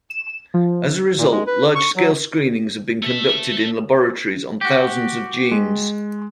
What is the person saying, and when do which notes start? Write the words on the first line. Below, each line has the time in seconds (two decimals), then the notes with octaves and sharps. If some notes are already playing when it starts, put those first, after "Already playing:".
As a result, large-scale screenings have been conducted in laboratories on thousands of genes.
0.10 E7
0.54 F3
1.18 A#2
1.31 G#3
1.47 B4
1.75 C#6
1.96 F#3
3.02 A3 E5
4.61 F#4 G4
5.52 G#3